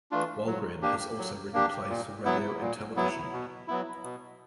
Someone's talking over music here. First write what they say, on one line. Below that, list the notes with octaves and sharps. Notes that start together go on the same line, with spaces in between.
Wahlgren has also written plays for radio and television.
E3 A3 D4 F4
F#3
A#3 D4 G4
F#3
A#3 D4 G4
A#2
F#3 B3 E4
A#2
F#3 B3 E4
B2
F#3 B3 E4
B2